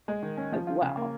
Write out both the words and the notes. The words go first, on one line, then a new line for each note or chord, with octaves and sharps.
as well.
G#3
D#3
C#4
F3
F4
C#3
A#3